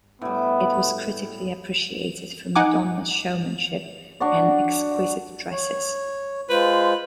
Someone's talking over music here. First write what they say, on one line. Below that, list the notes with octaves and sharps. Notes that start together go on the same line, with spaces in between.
It was critically appreciated for Madonna's showmanship and "exquisite" dresses.
A2 G3 B3
D#4 F#5 G#5 D6
D4 F#4 D5
C#5
G#3 F4 B4 C5